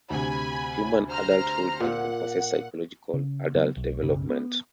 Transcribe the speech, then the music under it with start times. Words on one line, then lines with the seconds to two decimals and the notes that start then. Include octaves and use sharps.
Human adulthood encompasses psychological adult development.
0.10 D2 C3 G#5 B5
1.10 C5 A#5 F6
1.80 A#2 F#5
3.14 C#3
3.55 C#3 F#3 B3
3.77 B1
4.03 F#1 B1 C#3
4.29 B3